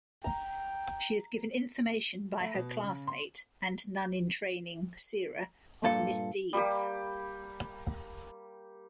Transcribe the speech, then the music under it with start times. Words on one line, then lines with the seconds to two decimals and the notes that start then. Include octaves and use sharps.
She is given information by her classmate, and nun-in-training, Seira, of misdeeds.
0.24 G5 A#5
2.40 A3
2.54 B2
2.83 C#3
3.07 C6
5.84 G2 A#2 A4 F5 C#7
6.53 G3 A#3 G4